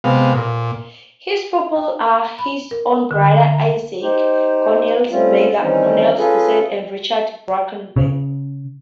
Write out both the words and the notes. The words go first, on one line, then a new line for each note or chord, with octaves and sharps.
His pupils are his own brother Isaack, Cornelis Bega, Cornelis Dusart and Richard Brakenburg.
C3 G#3 B3 F5
A#2
G5
B5
A#4
D3
E5
D#4 G4 C5
G3 A3 C4 C#4 F4
D#3 E3 G3 C4 C#4 D#4
C#4 F4 G#4 A4 B4
C#3